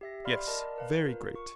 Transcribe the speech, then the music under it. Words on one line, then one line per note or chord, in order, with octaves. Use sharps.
Yes, very great.
G4 E5 A#6
D5 F5 B5 C6 F6
A#4 D5 D#5 A5
A#4 B4 F5
F4 A#4
C#6